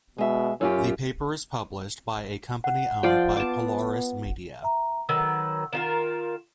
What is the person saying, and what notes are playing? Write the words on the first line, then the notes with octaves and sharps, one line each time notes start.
The paper is published by a company owned by Polaris Media.
B2 G#3 E5
F#2 C#4 F4 G4
F#5
F3 F4 D5 G5
B3 A5 D6
E5 A#5
D#3 F#3 B4 E6
D#3 F4 A#4 E7